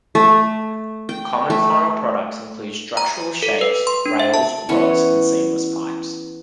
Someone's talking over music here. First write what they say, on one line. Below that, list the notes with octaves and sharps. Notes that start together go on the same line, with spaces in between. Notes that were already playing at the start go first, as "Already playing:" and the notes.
Common final products include structural shapes, rails, rods, and seamless pipes.
A3
G5
A3
A#5
A4
B4
C6
D4
E5
A5
E3 B3 C#4 C#5